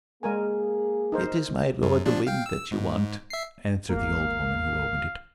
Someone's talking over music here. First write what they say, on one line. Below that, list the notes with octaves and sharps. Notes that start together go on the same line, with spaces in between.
'It is my lord, the Wind, that you want,' answered the old woman who opened it.
G#3 A#3 G#4 A#4 G#5
D#4 A#4 C5
F#2
A#2 F3 D4
F5 G5
E6
G#2
E5 C7
G#1 A#3 F5